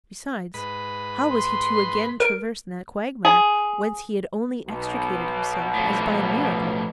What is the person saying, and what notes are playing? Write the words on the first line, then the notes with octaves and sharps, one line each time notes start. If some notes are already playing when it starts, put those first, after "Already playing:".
Besides, how was he to again traverse that quagmire whence he had only extricated himself as by a miracle?
G#2 B4 B5
C6
A#4 D7
G#4
B1 B2
A2 F3